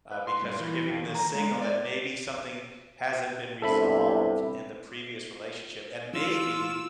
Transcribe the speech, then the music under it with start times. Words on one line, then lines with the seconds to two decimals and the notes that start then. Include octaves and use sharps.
Uh, because they're giving this signal that maybe something hasn't been resolved in the previous relationship, and maybe
0.11 B4
0.27 C6
0.42 G2
0.59 E3
0.86 F2
1.02 D#2
1.15 A#5
1.35 G#3
1.50 B3
1.62 D5
3.62 G1 C2 C3 A4 E5 B5
6.13 E3 D#4 F4 E6